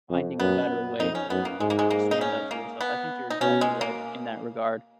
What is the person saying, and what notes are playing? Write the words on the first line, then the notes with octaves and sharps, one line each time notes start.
finding a better way to stand up for yourself, I think you're exactly right in that regard.
F2
F#2 B3
F2 D#4
C#4
F#2 B3
A#3
G#2 G#3
A#3
G#3
A#3
D#4
C#4
A#3
B3
D#4
B2 C#4
G#3
A#3